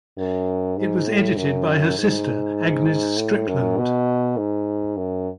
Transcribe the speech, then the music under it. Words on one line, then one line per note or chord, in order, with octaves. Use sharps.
It was edited by her sister Agnes Strickland.
F#2
G#2
A2
F#2
G#2
A2
F#2
B2
G#2
F#2